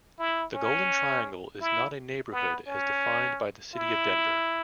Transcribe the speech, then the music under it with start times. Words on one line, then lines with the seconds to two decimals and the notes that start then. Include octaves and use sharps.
The Golden Triangle is not a neighborhood as defined by the city of Denver.
0.19 E4
0.54 C#4
1.61 E4
2.32 B3
2.67 C#4
3.74 E4